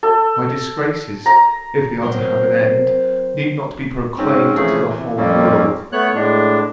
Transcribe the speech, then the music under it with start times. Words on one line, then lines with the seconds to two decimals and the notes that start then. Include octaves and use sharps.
My disgraces, if they are to have an end, need not be proclaimed to the whole world.
0.03 A4
1.26 A#5
2.02 F#3 C4 A#4 C5
4.18 G#2 C4 C#4
4.56 C3 E3 F3 A3 C#4 G#4
4.85 C3 E3
5.17 F2 F3 G3 A#3 C4 C#4
5.92 A3 B3 C#5 F#6
6.15 A2 G#3 D4